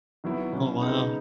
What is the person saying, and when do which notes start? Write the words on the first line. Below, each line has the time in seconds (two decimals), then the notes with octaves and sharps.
Oh, wow.
0.24 D#3 F#3 B3 E4
0.52 B2 F#3 C#4 E4
0.82 C#3 G#3 B3 D#4